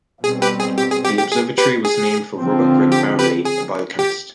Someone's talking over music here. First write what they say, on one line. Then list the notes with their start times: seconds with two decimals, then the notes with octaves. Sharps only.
The observatory was named for Robert Gregg Brownlee, a biochemist.
0.24 B2 G3 C4 G#4
0.42 G4 B4
0.60 G#4
0.78 G4
0.91 G#4
1.05 G4
1.18 G4
1.32 G#4
1.58 G4 B4
1.85 G#4
2.39 D3 F3 C4
2.92 G4
3.19 G4 B4
3.45 G#4
3.99 G4